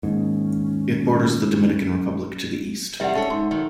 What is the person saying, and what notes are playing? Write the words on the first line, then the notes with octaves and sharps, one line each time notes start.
It borders the Dominican Republic to the east.
D#2 G#2 C#4
E2 C3 G3 E5 F#5
C#4 D4 A4 C#5
G#2 C6
D#3 F#3